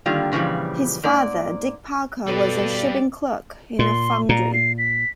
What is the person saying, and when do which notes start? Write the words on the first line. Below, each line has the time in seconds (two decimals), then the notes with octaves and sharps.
His father, Dick Parker, was a shipping clerk in a foundry.
0.06 D3 D#3 G3 A#3 F4
0.32 A#2 C#3 E3 F3 G3
1.03 G#2 A#3 D5
2.27 B2 G3 A4 B4 D5
3.79 A#2 C6
4.29 A#2 A#5
4.54 C7
4.78 B6